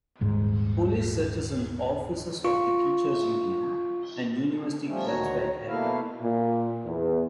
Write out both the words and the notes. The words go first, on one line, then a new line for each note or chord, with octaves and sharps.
Police searches in offices of the teachers' union and university clubs were carried out.
D#1 G#2
F4 C#6
F3 G3 A3 C#4
D2 D#3 F#4 C#5 A#5
B2 A3 A#3 E4 F5
A#2
E2